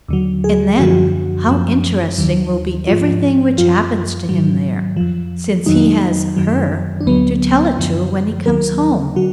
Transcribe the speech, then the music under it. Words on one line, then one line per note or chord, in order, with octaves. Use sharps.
And then how interesting will be everything which happens to him there, since he has Her to tell it to when he comes home.
D#2 D3 F#3
G#4
F#2 D3 F3 F#4
F#2 F3
D#2 D#3 F#3
G#2 F3 F4
F#2 F3 F4
G#2 D#3 F#3
F2 F3
F2 D#3 F#3 D#4
F#2 D#3 F#3
D4
D2 D3 F#3 B3
F#2 D3 F3
D#2 D#3 F#3 A#4
D3 F#3 F#4